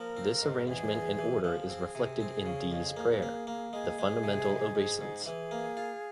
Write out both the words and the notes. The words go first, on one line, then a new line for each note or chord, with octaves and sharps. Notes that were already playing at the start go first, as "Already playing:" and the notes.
This arrangement and order is reflected in Dee's prayer - The Fundamental Obeisance.
Already playing: F3 A#3 A#4
C4
G#2
E2 G#4
E2
E3
F3 G#4
C4
C3
C4
C#3
F2
A#3
A#3
A#3
G#3 G#4
G#3
C3
G#2
G#2
G#2
E3 G#4
A#3
F4